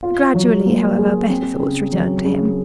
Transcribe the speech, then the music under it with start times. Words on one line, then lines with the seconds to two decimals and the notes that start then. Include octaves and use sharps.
Gradually, however, better thoughts returned to him.
0.03 F4
0.34 F#3
0.66 A#3
0.98 G#4
1.29 C4
1.61 C#3
1.92 F#3
2.25 C#3